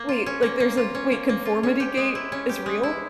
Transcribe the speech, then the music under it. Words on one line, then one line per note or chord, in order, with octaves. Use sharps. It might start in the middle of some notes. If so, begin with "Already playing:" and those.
Wait. Like there's a wait, conformity gate is real?
Already playing: A#3
F4
C#4
A#3
A#3
F4
C#4
A#3
A#3
F4
C#4
G4
G#3
E4
C#4
G4
G#3
E4